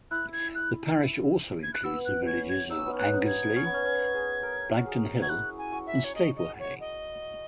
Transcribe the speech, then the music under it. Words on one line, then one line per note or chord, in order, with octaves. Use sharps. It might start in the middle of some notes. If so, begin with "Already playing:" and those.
The parish also includes the villages of Angersleigh, Blagdon Hill and Staplehay.
E4 F#6
G#6
F#6
G#6
F#6
B3 E6
F#6
C#4 G#6
G#6
D#4 E6
C#4
B3
C#4
F#6
D#4
G#6
C#4
B3
C#4
C#4
G#4
A#4
F#4
G#4
F#4 G#6
E4 F#6
G#5
F#4
E5
C#5
D#5
D#5
C#5
D#5